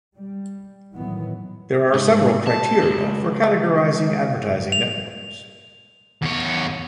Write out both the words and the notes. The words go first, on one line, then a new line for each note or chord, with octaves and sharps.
There are several criteria for categorizing advertising networks.
G3
F2 A2 D#3 E3 F#3 B3
G#2
A5
C#2
F7
E2 C#5